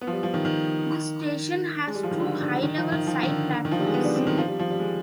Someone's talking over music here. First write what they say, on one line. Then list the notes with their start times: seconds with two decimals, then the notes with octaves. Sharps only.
This station has two high-level side platforms.
0.01 B3
0.07 F3
0.12 G3
0.23 F3
0.34 D#3
0.45 D#3
1.87 G#3
1.95 G3
2.03 F3
2.11 D#3
2.20 D3
2.42 D3
2.63 D#3
2.77 F3
2.92 D#3
3.07 F3
3.23 D#3
3.28 D3
3.65 D#3
3.71 F3
3.79 G3
3.86 G#3
3.94 B3
4.05 D4
4.16 C4
4.27 D#3
4.38 F3
4.48 G3
4.59 F3
4.70 G3
4.79 G#3